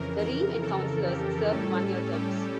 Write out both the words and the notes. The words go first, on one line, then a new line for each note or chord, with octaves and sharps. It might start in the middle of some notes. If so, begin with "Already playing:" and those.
The reeve and councillors served one-year terms.
Already playing: F2 C#3 E3 A#4
A#4
A4
G4
A2 G3 C#4 A4
A4
G4